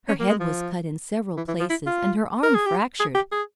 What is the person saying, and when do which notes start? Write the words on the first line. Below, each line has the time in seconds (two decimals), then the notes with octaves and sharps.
Her head was cut in several places, and her arm fractured.
0.08 C#4
0.20 A#3
0.29 G#3
0.40 F3
1.37 E3
1.48 E3
1.60 F3
1.70 E4
1.87 F4
2.43 A#4
2.55 G#4
2.66 G4
3.00 G#4
3.15 G4
3.32 G#4